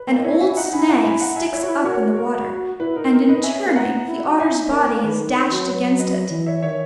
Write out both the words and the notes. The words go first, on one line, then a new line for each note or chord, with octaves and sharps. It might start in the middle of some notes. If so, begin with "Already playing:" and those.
An old snag sticks up in the water, and, in turning, the otter's body is dashed against it.
Already playing: B4
A#3
D#5
E4 C#5 E5
E5 G#5
E4
D#4 F#5 A#5
D#4
G#5 B5
E4
F#5 A#5
G#5 B5
F#5 A#5
E5 G#5
E4 C#5 E5
F#4
E4
F#4 A#4 C#5
A#4
E4 B4
D#4 A#4
A#4
B4 D#5
D#4
C#4 E5 G#5
A#3
B3 F#5 A#5
E4
F#4
E4 E5 G#5
D#4
C#4 A#4
B3 A#4
A#3
D#3 B4
D#3
D#3
F#3
B4
B4 D#5
E3
C#5 E5
D#3 C#5 E5